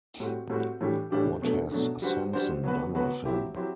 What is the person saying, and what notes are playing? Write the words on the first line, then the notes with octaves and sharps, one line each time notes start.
What has Simpson done with him?
A2 G3 C4 F#4
A2 G3 C4 F#4
A2 E3 G3 D4 G4
A2 E3 G3 D4 G4
B2 F#3 A3 D4
B2 F#3 A3 D4
G3 D4 F#4 C5
G3 D4 F#4 C5
F#3 B3 F#4 B4
F#3 B3 F#4 B4
F#3 C4 E4 G4
F#3 C4 E4 G4